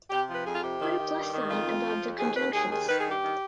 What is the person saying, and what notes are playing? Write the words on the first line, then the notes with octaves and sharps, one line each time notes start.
Put a plus sign above the conjunctions.
C3 G4
F3
B4
F2 G#4
F4
C3 G4
D#3
D#3
G2
D#3
F2 F4
F2
F3
F2
D#2 G#4
D#2 B4
D#2 G#4
D#3 G#4
D#3 B4
G#4
G2
G4
D#3